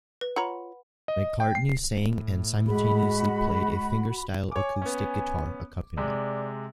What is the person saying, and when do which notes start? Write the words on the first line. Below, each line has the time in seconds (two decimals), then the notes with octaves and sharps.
McCartney sang and simultaneously played a fingerstyle acoustic guitar accompaniment.
0.21 B4
0.36 F4 C#5 F#5 A#5 B5
1.08 D#5
1.40 G5
1.55 C7
1.96 A2
2.67 G#3 F#4 G#4 B5
4.51 C#5 G#5 D6
4.82 B3 C#4
5.97 C3 G#3 D5